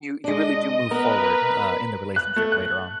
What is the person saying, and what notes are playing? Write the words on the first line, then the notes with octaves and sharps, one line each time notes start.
you you really do move forward, uh, in the relationship later on.
G#3 D4 D#5
B3 A#4 B4
F#6
A3
F#6